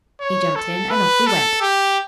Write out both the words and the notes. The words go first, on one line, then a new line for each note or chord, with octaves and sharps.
He jumped in and off we went.
C#5
A4
B4
A4
G4